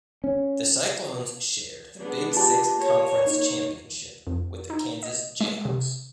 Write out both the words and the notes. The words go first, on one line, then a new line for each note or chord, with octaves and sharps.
The Cyclones shared the Big Six conference championship with the Kansas Jayhawks.
C#4
G#3 B3 D4
F4 G4 A5
A#3 C#5
D#4
F2
D#4
D#5
G#3
C3